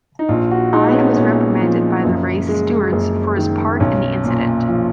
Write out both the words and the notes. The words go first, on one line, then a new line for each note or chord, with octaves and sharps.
Ide was reprimanded by the race stewards for his part in the incident.
D#4
A#1 F4
F#4
G#3 D#4
B3
C#4
A#2 C#4
F3
F#1
G#3
F#1
D#3
B1 C#4
A#2
F3